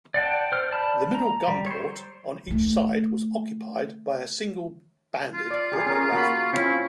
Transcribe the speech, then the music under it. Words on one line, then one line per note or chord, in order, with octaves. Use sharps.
The middle gun port on each side was occupied by a single-banded, Brooke rifle.
D5 F#5 G5 A5
C5 F6
D5 A5 B5
A#5
G3
C5 C#5
D#3 A3
F4
D5
G4 G#4
C#4 G#4 A#4
A#3 F#4 B5
C4 C#4 E4 F4